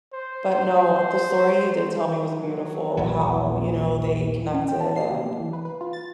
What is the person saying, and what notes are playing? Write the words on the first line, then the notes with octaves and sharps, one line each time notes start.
But, no, the story you did tell me was beautiful, how, you know, they connected and,
C5
C5
F#3
A#1 D#2 A#2 F#3
C#4
G5
A5
C7
C3
A#3
E3
B4
B4
F4
A6